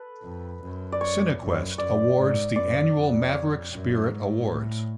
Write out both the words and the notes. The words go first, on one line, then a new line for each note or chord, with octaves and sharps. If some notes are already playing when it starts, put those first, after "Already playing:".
Cinequest awards the annual Maverick Spirit Awards.
Already playing: A4 B4
F2
F#2
D5
C#5
F#2
F#2 D5
G#2
F#2 D5
F2
C#5
F#2
G#2
A2